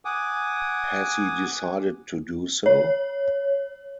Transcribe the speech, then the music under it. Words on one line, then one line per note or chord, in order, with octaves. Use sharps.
Has he decided to do so?
F#5 G#5 D6 D#6
C#5